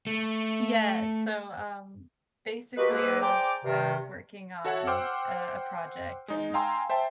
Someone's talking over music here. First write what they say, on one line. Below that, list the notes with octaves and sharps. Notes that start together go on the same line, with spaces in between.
yes, so, um, basically, I was I was working on, uh, a project, and
A3
G#3 A#3 F#4 G4 B4
G#2 A#3 A4 B4
G#4 C5 D5 G5 A#5 D6
G2 C3 D#3
F#4 A4 C#5 E5 F#5
C5 F#5 G5 D6 E6 F6
G#3 D#4
F5 G5 G#5 A#5 C6 E6
C5 E5 G5 A5